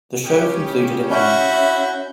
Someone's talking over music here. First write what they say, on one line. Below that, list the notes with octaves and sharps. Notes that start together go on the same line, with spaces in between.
The show concluded in May.
C#3 C#4 G4
C#4 E4 F#4 E5 B5 G6